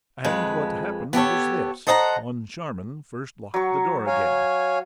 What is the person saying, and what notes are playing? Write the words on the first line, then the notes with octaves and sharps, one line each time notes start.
And what happened was this: Moncharmin first locked the door again.
F2 G#3 B4
B3 G4 A4 C#5
A4 C5 D#5 F#5 A5 A#5
F#3 C#6
C#5 F5 G#5